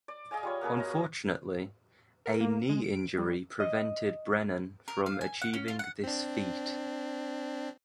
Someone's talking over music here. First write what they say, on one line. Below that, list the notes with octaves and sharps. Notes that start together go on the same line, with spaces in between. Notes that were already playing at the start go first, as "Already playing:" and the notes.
Unfortunately, a knee injury prevented Brennan from achieving this feat.
D5
G#4 D#5 F5 G#5
G3 F4 C#5
A#3 B3 G#4 A#4
F#3 D#5 A#5
A#4
A#4
A#3
G#3
D7
G3
D#5
A#4
F5
G#5
F#5
C#4
F4
F#5
C4 D4